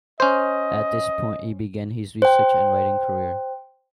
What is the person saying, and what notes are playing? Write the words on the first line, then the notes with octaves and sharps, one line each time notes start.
At this point, he began his research and writing career.
C#4 C5 D#5
C5 G5